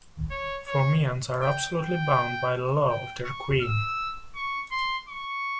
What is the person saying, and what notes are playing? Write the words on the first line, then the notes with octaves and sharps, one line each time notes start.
Formians are absolutely bound by the law of their queen.
C#5
C#5
G5
G5
G5
C#6
E6
C#6
C6
C#6